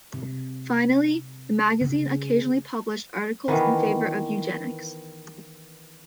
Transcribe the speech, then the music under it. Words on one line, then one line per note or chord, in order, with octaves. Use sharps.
Finally, the magazine occasionally published articles in favor of eugenics.
C3
C#3
D#3 E3 B3